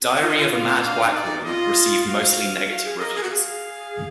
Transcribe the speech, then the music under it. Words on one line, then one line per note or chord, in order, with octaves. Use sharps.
"Diary of a Mad Black Woman" received mostly negative reviews.
F4 D#5
D#4
F4
F4 F5
D4 F5
D#4
D5
D#4
F#4
F4 D#5
F#4 F5
F#4 F5
G#4
A#4 D#5
G#4
F#4
G#4 F5